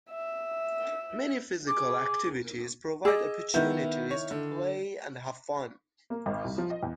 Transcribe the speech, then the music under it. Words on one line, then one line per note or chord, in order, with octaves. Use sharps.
Many physical activities provide opportunities to play and have fun.
E5
G#4 D6
G#4 D#5 D6 E6
D#3 B3 E4 G6
C#5
D3
A#3
G#1
C2
F3
D#5
E2